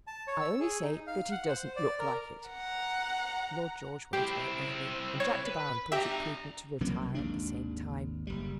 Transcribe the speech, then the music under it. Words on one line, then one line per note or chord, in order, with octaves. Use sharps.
"I only say that he doesn't look like it." Lord George went away early, and Jack De Baron thought it prudent to retire at the same time.
A5
C#5
E6
G#4
D#4
F5
F#5
C5
D5
A#4
F#5 A#5
C4 E4 G4
C#5
B4
D4 G4 E5 A#5
C2 C3 F#3 A#3
G#1 D#2 D4
F#1 G3